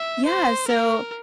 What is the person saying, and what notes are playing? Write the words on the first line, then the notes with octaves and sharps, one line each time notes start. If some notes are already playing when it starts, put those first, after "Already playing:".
Yeah, so
Already playing: E5
C5
A#4